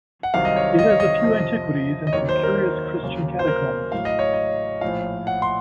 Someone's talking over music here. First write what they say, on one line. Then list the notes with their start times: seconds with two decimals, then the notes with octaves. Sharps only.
It has a few antiquities and some curious Christian catacombs.
0.23 F#5
0.34 C2 C3 D#3 F#3 F5
0.45 D#5
0.56 C#5
0.79 D#5
0.90 C#5
1.00 D#5
1.23 F2 C3 F3
2.07 D#5
2.13 D#2 D#3 F#3 C#5
2.29 C5
2.43 A#4
3.03 D#2 C#3 F#3
3.39 C5
3.47 A#4
3.92 A1 A2 F#3 F5
4.05 D#5
4.19 C#5
4.33 D#5
4.81 A#1 A2 F3 F5
5.27 F#5
5.42 C6